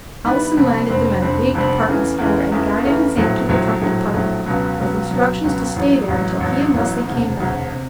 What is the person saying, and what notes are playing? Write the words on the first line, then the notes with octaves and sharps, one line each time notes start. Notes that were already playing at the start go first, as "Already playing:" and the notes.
Allison landed them at a big department store, and guided his aunt to the trunk department with instructions to stay there until he and Leslie came back.
G2 D#3 G3 B3 E4
F1 F2 D3 G3 C4
F1 F2 D3 G3 C4
F1 F2 D3 G3 C4
F1 F2 D3 G3 C4
E2 C#3 E3 A3
E2 C#3 E3 A3
E2 C#3 E3 A3
E2 C#3 E3 A3
A#1 A2 F#3 A3
A#1 A2 F#3 A3
A#1 A2 F#3 A3
A#1 A2 F#3 A3
C#2 B2 F#3
C#2 B2 F#3
C#2 B2 F#3
C#2 B2 F#3
A1 A2 F#3
A1 A2 F#3
A1 A2 F#3
A1 A2 F#3
E1 D2 C3
E1 D2 C3
C3